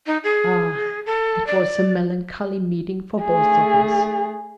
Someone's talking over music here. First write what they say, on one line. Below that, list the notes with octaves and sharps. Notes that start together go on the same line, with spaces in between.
Ah, it was a melancholy meeting for both of us.
D#4
G#4
A4
D5
A3 G#4